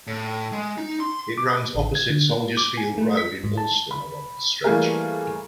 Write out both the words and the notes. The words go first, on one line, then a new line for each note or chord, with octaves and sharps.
It runs opposite Soldiers Field Road in Allston along this stretch.
A2
G#3
D#4
C6
D6
A1
G#6
D3
A#3
D6
G#5
A3
B6
G#2
A5
B5
E3 G3 A3 A#3 G#4 A#4